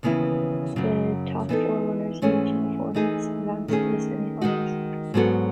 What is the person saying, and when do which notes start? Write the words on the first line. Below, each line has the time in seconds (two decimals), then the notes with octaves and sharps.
The top four runners in each of the four heats advanced to the semifinals.
0.03 D#2 C#3 E3 B3 E4
0.76 F#2 C#3 F#3
1.49 E3 B3 D#4 A4
2.22 G#2 E3 A3 C#4 G#4
2.94 E3 A3 D#4 G#4
3.68 D#3 A3 C#4 G#4
4.41 D#3 G#3 D#4 F#4
5.14 G#2 F#3 B3 F#4 A4